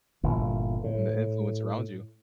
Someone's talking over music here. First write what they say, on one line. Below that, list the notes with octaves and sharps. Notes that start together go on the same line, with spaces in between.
And the influence around you.
G1 A#2 E3
A2